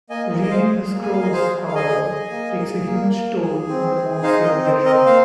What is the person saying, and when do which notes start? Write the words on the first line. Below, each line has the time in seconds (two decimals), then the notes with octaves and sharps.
Reading the Scrolls, however, takes a huge toll on the monks' vision.
0.10 A#3 D#5 G#5
0.37 G#4 D#5
0.51 C5 F5
0.64 G#4
0.93 A#3
1.03 G#5
1.13 F5
1.19 G#4 D#5 G#5
1.33 C5 F5
1.47 G#4
1.68 F5
1.75 G#4 D#5 G#5
2.03 G#4
2.30 A#3
2.58 G#4
2.85 A#3
3.13 A#3
3.40 G#4
3.69 C4
3.95 G#4
4.22 D#4 C5 F5
4.43 A#4 D#5
4.50 C4
4.65 C5
4.78 C4
4.85 A#4 D#5
5.06 A#3 C5 F5